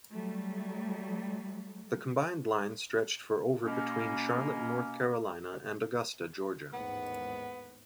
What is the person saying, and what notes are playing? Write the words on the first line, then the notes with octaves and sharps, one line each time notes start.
The combined line stretched for over between Charlotte, North Carolina, and Augusta, Georgia.
F#3 G3 A3
B2 A#3 C#4
A1 D#2 G#2 B3 F#5